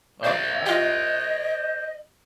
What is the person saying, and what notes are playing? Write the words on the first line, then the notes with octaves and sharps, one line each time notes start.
Oh wow,
C5 D5 F5
F4 G4 D#5